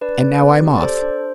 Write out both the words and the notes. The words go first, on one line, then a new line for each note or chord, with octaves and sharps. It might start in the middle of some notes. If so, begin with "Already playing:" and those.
And now, I'm off.
D4 B4 D5
A4
C4
G4
D5
A4 C5
D4